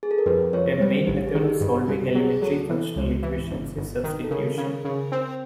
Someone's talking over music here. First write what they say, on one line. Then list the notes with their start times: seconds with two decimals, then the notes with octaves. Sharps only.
A main method of solving elementary functional equations is substitution.
0.03 G#4
0.11 A4
0.18 A#4
0.26 F2 B4
0.53 F2 C#5
0.80 G3 C5
1.07 A1 G4
1.27 G#4
1.34 D#3
1.48 G4
1.61 G2
1.68 F#4
1.88 C2 G4
2.15 F#3 G#4
2.42 F#3 A4
2.69 E3
2.96 C#2
3.22 E3
3.50 G1
3.77 G1
4.03 D#3
4.24 A4
4.31 C#3 A#4
4.57 C#3
4.85 C#3
5.12 C4